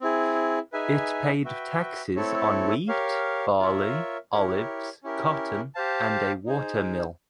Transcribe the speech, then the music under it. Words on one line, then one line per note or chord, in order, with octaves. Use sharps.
It paid taxes on wheat, barley, olives, cotton, and a water mill.
C4 E4 G#4
D#4 G#4 B4 E5 G#5
F#4 B4 E5 G5
A3 C4 E4 A4 C#5
G4 A#4 C#5 F5
F4 A#4 C#5 E5
E4 G4 A#4 C#5
C#4 E4 G4 A#4
G4 C5 F5 A5
D#4 G#4 C5